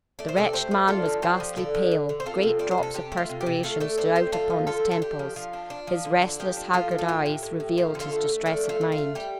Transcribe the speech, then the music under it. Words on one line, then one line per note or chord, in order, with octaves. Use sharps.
The wretched man was ghastly pale, great drops of perspiration stood out upon his temples, his restless, haggard eyes revealed his distress of mind.
A3 D5
C5
C3 A4 D5
A3 G4 C5
A3
D4 F4 A4
F3
D4 G4 C5
F3
D3 A4 D5
F3
D3
D3
C5
C4 F4 A4
C3
G3 D5
C5
C3
A4
C3 G4
A3
F4
C3
G4
C3
A3 F4 A4
A3 A4 D5
C4 A4 D5
A3 G4 C5
D3 F4 A4
F3
D3 F4 A4
D3
A4
D4 G4
F3
F3 F4
D4
D4
F3
D3
D4
F3 G4
D4
F3 F4 A4
F3
A4
A2 G4
A2
A2
A2
F3 G4
D3
F4 A4
A3
A3
F3 A4 D5
A3
F4 A4
A3
F4
A3
G3 G4